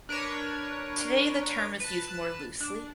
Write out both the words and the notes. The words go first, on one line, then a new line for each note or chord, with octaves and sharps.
Today the term is used more loosely.
D4 A#4 B4 C#5
B4 A5
D4